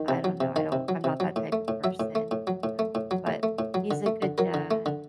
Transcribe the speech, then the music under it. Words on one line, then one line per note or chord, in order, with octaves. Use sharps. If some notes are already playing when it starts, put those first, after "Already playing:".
I don't know. I don't I'm not that type of person, you know? But, he's a good dad
Already playing: D#3
C3
F#3
C3
D#3 F5
C3
F#3
C3
F#3
A2
A3
A2
F#3 E5
A2
A3
A2
F#3
A2
A3
A2
F#3
A2
A3
A2
F#3
D3
A3
D3
F#3 A#4
D3
A3
D3